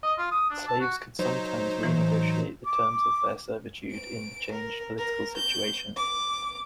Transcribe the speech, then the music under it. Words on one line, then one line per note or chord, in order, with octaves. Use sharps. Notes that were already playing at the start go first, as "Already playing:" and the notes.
Slaves could sometimes renegotiate the terms of their servitude in the changed political situation.
D#5
F4
D#6
D4
A5
F#4
F#3 D#4 C5
A2 E3
D6
D7
A#4
A#4
G6
D6